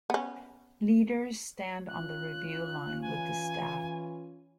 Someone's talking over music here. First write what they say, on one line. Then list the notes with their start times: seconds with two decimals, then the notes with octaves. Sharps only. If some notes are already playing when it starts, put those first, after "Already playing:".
Leaders stand on the review line with the staff.
0.10 B3 C#4
1.88 C#4 F4 F#6
3.01 E3 G#5